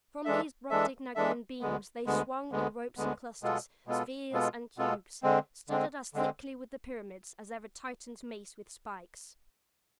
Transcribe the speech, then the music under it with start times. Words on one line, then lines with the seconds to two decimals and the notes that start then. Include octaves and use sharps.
From these Brobdignagian beams they swung in ropes and clusters--spheres and cubes studded as thickly with the pyramids as ever Titan's mace with spikes.
0.25 E3 G#3 D4 A4 E5
0.70 E3 G#3 D4 A4 E5
1.15 E3 G#3 D4 A4 E5
1.61 D2 D3 G#3 B3
2.06 D2 D3 G#3 B3
2.51 D2 D3 G#3 B3
2.97 D2 D3 G#3 B3
3.43 B2 G#3 B3 F4 A4
3.87 B2 G#3 B3 F4 A4
4.32 B2 G#3 B3 F4 A4
4.78 B2 G#3 B3 F4 A4
5.23 D3 G#3 C4
5.69 D3 G#3 C4
6.14 D3 G#3 C4